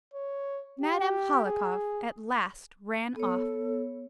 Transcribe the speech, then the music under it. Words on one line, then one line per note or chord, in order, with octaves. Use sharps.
Madame Hohlakov at last ran off.
C#5
G4
G#4
B3 A4 C#5